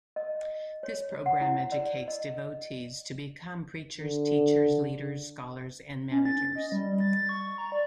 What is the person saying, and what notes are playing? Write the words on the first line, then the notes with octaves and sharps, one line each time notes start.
This program educates devotees to become preachers, teachers, leaders, scholars, and managers.
D#5
C#5
F#5
E4
D5
D#5
D3
C#4
A6
D#5
G3
A6
C#6
A#5
D5